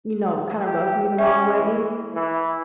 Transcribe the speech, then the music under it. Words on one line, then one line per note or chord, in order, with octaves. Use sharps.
you know, kinda rubs me the wrong way.
G4
C#4 E5
E3
E3